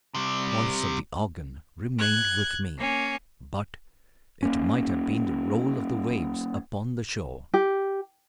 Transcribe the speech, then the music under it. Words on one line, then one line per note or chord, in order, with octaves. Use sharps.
The voice of the organ remained with me, but it might have been the roll of the waves upon the shore.
C3 G3
F#6 G#6
A#3 C#4
A#3 C#4
G4